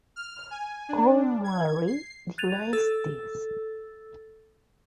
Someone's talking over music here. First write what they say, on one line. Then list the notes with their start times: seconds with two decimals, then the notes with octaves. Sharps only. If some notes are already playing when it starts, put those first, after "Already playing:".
Al-Marri denies this.
0.16 F6
0.51 G#5
0.89 D4
1.44 G#6
1.87 C7
2.38 F#6 G#6 A6 D#7 F7
2.73 A4 E6 A6